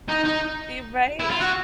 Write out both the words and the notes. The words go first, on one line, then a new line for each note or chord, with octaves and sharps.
e right, she
D#4
D#4
E4
F4
F#4